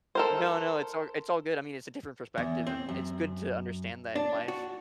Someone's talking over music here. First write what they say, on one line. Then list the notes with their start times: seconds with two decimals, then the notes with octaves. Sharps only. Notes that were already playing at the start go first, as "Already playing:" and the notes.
No, no, it's alr it's all good, I mean, it's a different perspective, and it's good to understand that in life.
0.15 A4 A#4 C5
2.38 E2
2.67 C4
2.89 F#2
4.16 D4
4.48 F#4